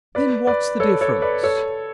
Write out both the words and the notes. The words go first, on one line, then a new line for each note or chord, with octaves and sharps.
"Then what's the difference?"
B4 D5
B4 D5
A4 C#5
A4 C#5
B4 D5
A4 C#5